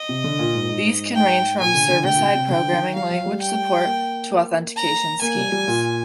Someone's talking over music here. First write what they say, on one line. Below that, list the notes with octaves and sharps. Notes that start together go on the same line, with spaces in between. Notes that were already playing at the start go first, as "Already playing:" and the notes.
These can range from server-side programming language support to authentication schemes.
Already playing: D#5
C3
D3
A#2
G#2
A#2
G#2
G5
A#2 G#5
D3
D3
D3 G5
A#2
C3
C3
D3 G5
D#3
G3 F5
F3
G3
G5
A#3
A#5
A#3 G#5
G3
G3
A#2